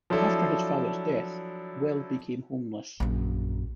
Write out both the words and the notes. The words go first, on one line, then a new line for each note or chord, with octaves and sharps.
After his father's death, Weil became homeless.
F3 F#3 D4 E4 A4
A#1 F#2